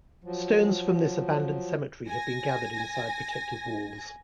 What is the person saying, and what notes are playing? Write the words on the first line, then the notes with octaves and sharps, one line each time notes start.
Stones from this abandoned cemetery have been gathered inside protective walls.
F3 F#3
G#5 A#6